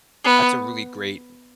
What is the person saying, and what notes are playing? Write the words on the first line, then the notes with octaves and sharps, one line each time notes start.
That's a really great,
B3